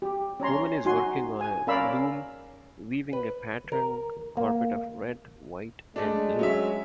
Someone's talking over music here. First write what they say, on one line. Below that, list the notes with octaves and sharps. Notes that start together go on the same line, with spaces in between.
Woman is working on a loom weaving a patterned carpet of red, white, and blue.
G4
C#4 C#5 A#5 C6
D#4 F#4 G#5 C6
G#5
C#4 A#4 D5 F5 B5 E6
B4
A#4
A#3
G#3 A3 D4
F#3 C#4 E5